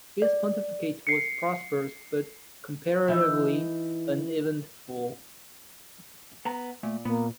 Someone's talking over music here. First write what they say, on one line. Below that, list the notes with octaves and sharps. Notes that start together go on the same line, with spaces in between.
His pontificate was prosperous, but comparatively uneventful.
D5
C7 C#7
E3 D#4 E5
B3 A#5
A#2 A3
A#2 A#3 B3